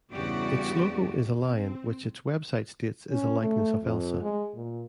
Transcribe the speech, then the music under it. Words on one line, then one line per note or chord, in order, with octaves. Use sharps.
Its logo is a lion, which its website states is a likeness of Elsa.
E2 G2 C#3 F#4 G4 D5
C4
C#4
A3
F2
G#3
A#2